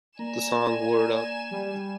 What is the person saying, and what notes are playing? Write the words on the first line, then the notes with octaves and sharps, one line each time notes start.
The song Word Up!
A#3 D5 G#5 A#5 E7
G3